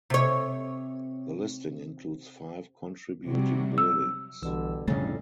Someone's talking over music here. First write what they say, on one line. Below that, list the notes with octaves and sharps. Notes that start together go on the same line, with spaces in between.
The listing includes five contributing buildings.
C3 C#5
C3 F#3 G3
E6
B1 B2 D3 E3 G3 E6
F2 A2 C#3 G3 A3 C#4 D4 A6